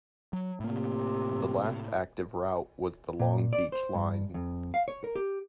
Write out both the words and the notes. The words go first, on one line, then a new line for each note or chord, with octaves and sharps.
The last active route was the Long Beach line.
F#3
A2 C3 A#3
A#2
D5
C5
G2
F2
F5
C#5
A#4
G4